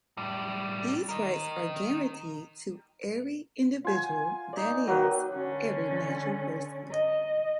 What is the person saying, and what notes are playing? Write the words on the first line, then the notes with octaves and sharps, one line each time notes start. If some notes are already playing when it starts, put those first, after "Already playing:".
These rights are guaranteed to "every individual", that is, every natural person.
A2 G3
A#4 D#5
F4 G#5
D#4 D5
F#3 A#3 B4 G5
D3 C#4
D#5